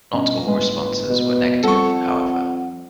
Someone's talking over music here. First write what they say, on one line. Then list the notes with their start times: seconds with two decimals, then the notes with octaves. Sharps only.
Not all responses were negative, however.
0.13 G1 B2 C#4 D#5
0.47 A2 G#3 B4 G#5
1.10 B2
1.63 F2 G3 A4 F#5 C#6